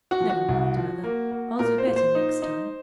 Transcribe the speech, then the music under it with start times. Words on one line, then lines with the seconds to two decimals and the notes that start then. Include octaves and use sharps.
'Never mind, Mother; I'll do better next time.'
0.11 F#4
0.20 F3
0.30 F#4
0.49 C2
0.77 F3
1.04 A#3
1.31 A#3
1.59 A#2 A#4
1.78 C5
1.87 A#2
1.96 C5
2.15 D#4
2.42 D#4